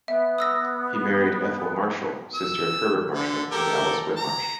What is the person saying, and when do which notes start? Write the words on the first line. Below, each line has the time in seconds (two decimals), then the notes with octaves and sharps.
He married Ethel Marshall, sister of Herbert Marshall and Alice Whitmarsh.
0.08 B3 E5
0.38 D#6 E6 A#6
2.34 E6
3.15 D3
3.52 G4 A4 A#4
4.17 A#5